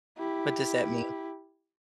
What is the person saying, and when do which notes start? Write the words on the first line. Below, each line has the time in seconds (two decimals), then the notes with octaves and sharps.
What does that mean?
0.18 E4 G4